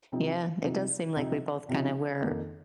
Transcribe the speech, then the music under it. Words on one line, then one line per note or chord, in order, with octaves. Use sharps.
Yeah. It does seem like we both kinda were
C3 F3 C4 D#4
C3 F3 C4 D#4
C3 F3 C4 D#4
C3 F3 C4 D#4
F2 D#3 A#3 D#4